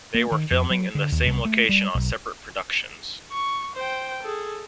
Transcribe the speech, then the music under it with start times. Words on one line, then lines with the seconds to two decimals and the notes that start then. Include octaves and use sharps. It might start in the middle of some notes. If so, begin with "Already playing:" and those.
They were filming in the same location on separate productions.
0.15 A#3
0.32 D#3
0.51 F2
0.70 F#3
0.95 D3
1.12 D#2
1.26 C2
1.45 A3
1.69 G3
1.95 B1
3.32 C#6
3.76 C5 G5
4.23 G#4 A4